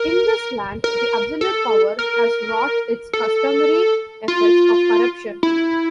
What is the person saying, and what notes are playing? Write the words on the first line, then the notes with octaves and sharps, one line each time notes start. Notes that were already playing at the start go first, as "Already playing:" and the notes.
In this land the absolute power has wrought its customary effects of corruption.
Already playing: A#4
A#4
A4
A#4
A4
F4
E4